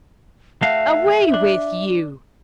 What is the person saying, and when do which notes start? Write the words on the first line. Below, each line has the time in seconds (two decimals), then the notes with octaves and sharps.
Away with you!
0.62 A3 F#4 E5 F5
1.34 D4